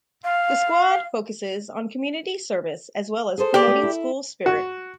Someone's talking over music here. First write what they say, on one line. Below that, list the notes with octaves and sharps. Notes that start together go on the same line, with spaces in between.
The squad focuses on community service as well as promoting school spirit.
F5
G#4 A4 C5
G4 D5
A3 F#4
E4
F#4